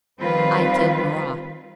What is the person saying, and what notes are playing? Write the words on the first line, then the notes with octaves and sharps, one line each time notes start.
"I killed Marat!"
D#3 F3 G3 C4 F4 B4